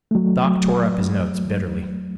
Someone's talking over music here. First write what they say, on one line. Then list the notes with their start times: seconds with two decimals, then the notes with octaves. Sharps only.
Doc tore up his notes bitterly.
0.11 F#3 A3